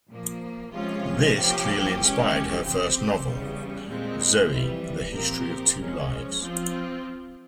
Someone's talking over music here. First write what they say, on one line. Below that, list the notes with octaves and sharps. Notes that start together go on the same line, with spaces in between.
This clearly inspired her first novel, "Zoe: the History of Two Lives".
A#2 F3 A#3
C3 F3 G#3 C#4 F4
F3 A#3 C#4 G4
E3 G#3 C#4 G4
C#3 F3 C4 G4 C5
E2 C#3 G3
A#2 G#3 C4
F2 E3 G3
A#2 F3 C4 G4 A#4
F3 G#3 C#4
F3 C4 F4